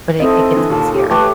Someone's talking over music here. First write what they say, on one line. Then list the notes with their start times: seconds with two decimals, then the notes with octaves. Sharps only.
but it it gets easier.
0.20 C4 D#4 E4 A4 D#5
0.54 D3 E3
0.70 D#2 A#2 A5
0.93 G4
1.10 A3 G4 B4 C#5